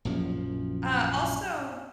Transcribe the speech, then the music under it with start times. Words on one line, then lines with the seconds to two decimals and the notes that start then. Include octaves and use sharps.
Uh, also
0.05 A#1 F#2 F3